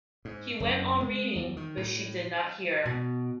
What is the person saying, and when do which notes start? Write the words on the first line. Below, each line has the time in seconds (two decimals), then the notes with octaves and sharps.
He went on reading, but she did not hear.
0.25 G#2
0.60 F#1
1.01 G#3
1.35 E2
1.57 D#3
1.77 A2
2.86 B2